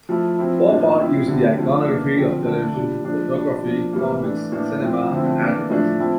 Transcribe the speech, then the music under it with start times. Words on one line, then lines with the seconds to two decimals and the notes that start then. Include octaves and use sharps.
Pop art used the iconography of television, photography, comics, cinema and advertising.
0.09 F3 A3 E4
0.38 F3 C4 E4
0.68 A2 F3 A#3 D4
0.98 A2 F3 C4 E4
1.27 D3 G3 C4 E4
1.57 D3 F3 A3
1.86 E3 A#3 D4
2.15 D3 F3 C4
2.45 D3 A3 D4
2.74 A#2 G3 D4
3.04 F3 A#3 D4
3.34 A#2 G3 D4
3.63 F3 A#3 D4
3.93 A2 E3 G3 A#3
4.23 E3 A3 D4
4.52 A2 E3 A#3 D4
4.81 A2 F3 C4
5.11 D3 F3 A3 C4 E4
5.41 E3 A#3 D4
5.70 A2 F3 A3 D4
6.00 F3 A3 C4 E4